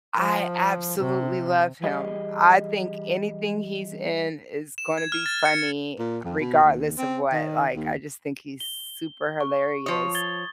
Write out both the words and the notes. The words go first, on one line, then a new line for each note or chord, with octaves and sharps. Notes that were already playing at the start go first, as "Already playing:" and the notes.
I absolutely love him. I think anything he's in is gonna be funny, regardless of what, like, I just think he's super hilarious.
F3
C3
E3 G3 G4 G#4 D#5
E7
G#6
F6
A6
C#7
A#2
F2
B2
D#2
C4
D#3
D#2
G7
C#6
F3 C#5 D#6
G#6 A6 G7